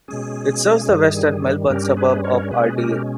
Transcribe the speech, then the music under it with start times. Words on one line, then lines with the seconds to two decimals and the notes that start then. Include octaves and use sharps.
It serves the western Melbourne suburb of Ardeer.
0.08 B2 G#3 C#4 G#4
0.89 G2 D#3 G3
1.70 G2 G3 C#4 G4 A#4
1.97 G#4 B4
2.24 A#4 C#5
2.51 B2 G#3 C#4 G#4 B4
2.78 G4 A#4